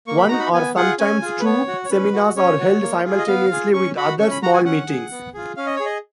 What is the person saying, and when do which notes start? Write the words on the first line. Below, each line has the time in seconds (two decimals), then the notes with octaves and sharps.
One or sometimes two seminars are held simultaneously with other small meetings.
0.07 A#3 C#6
0.17 B5
0.28 D#4 F#4 A#5
0.39 B5
0.53 B3 G#5
0.76 F4 G#4 F#5
0.99 C#4 G#5
1.22 F4 G#4
1.40 B4
1.45 B3 C#5
1.68 F#4
1.85 C#5
1.90 C#4 B4
2.13 F#4
2.36 C#4 C#5
2.59 F#4
2.82 A#3
3.05 F4 G#4
3.18 D#5
3.27 B3 F5
3.51 F4 G#4
3.73 C#4 C#6
3.96 F#4 B5
4.19 C#4 C#6
4.31 B5
4.43 F#4 A#5
4.54 G#5
4.65 C#4 F#5
4.88 G#4
5.11 B3
5.34 F4 G#4
5.56 C#4 F5
5.66 D#5
5.76 G#4 C#5
5.85 D#5